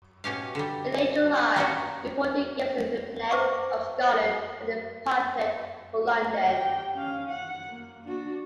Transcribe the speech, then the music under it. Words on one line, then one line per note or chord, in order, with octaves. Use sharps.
In late July he appointed Gaveston Lieutenant of Scotland, and departed for London.
B2 C#4 G4 F5
D3 G3
A#3 B3 C#4 F#4
B4 C5 E5 F#5 C#6 D6
A3
G4 G5
C#4 F5
F#5
A#3
D4 F#4